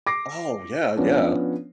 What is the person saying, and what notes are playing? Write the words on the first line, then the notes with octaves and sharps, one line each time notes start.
Oh, yeah, yeah.
D6 A#6 C7
F3 B3 C#4 D4